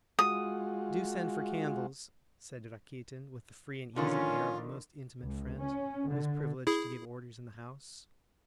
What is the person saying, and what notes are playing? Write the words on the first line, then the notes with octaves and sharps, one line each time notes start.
"Do send for candles!" said Rakitin, with the free-and-easy air of a most intimate friend, who is privileged to give orders in the house.
G#3 F4 F#4 D#6
D3 D#3 F3 C#4 F4
C#2
C#4
D3
E4 G#4